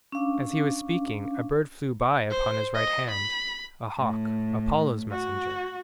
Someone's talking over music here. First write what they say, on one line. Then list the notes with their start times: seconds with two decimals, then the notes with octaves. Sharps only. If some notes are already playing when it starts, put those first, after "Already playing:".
As he was speaking a bird flew by upon his right hand--a hawk, Apollo's messenger.
0.12 C#4 D4 F5 D6
2.31 C5
2.75 D#5
3.11 B5
3.97 A2
5.11 F#4